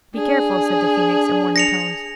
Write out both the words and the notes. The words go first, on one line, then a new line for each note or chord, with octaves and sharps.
Be careful,' said the Phoenix, in warning tones.
D4 G#4
A#6 C#7 F7